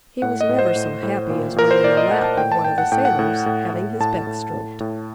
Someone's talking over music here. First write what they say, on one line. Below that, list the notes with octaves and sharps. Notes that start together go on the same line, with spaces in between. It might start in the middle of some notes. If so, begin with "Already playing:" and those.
He was never so happy as when in the lap of one of the sailors, having his back stroked.
A2 F#5
D#5
A2
C5
A2
A2
A#2
A#2 A#4
C5
A#2 D5
D#5
A#2 F#5
A5
A2 G5
A5
A2 G5
F#5
A2 G5
F#5
A2
A2
A2
A2 A5
A2
A2
A2